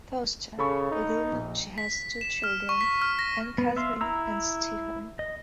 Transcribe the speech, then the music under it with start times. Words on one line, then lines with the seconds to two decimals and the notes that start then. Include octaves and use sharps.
Foster, with whom she has two children, Anne-Catherine and Stephen.
0.59 C#3 A4 B5 C#6
0.91 D#4
1.33 A#1
1.78 B6
2.21 E7
2.44 F6
2.69 C#6
2.81 B6
3.02 F6
3.19 A#6
3.58 B3
3.77 E5 F5 C6
4.01 E4 A#5 E6
5.19 D#5